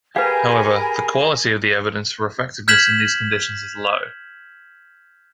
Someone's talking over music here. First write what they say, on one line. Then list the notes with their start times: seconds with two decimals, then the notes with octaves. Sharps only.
However, the quality of the evidence for effectiveness in these conditions is low.
0.16 G4 G#4 A#4 B4 F5 G5 G#5 B5
2.68 F6 G6 G#6 B6 E7 F#7